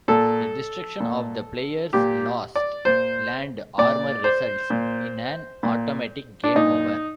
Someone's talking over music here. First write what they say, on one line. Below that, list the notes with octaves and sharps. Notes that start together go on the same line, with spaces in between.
The destruction of the player's last Land-Armor results in an automatic game over.
A#2 A4
A#2
A#2 G4
D5
A#2 C5
A#2 D5
C5
A#2
A#2
D4
A#2 D#4